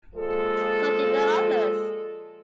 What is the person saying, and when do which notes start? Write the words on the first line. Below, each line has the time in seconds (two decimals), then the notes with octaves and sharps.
So did the others.
0.15 A#2 F3 G#3 A4